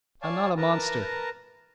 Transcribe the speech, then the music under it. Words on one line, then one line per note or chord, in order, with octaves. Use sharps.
I am not a monster.
C#5 D5 F5 G#5 A5
A#4 B4 A5 A#5